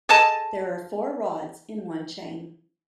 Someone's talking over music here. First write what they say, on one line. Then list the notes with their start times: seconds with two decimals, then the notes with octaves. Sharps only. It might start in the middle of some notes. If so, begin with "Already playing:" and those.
There are four rods in one chain.
0.09 G#4 A4 D#5 A5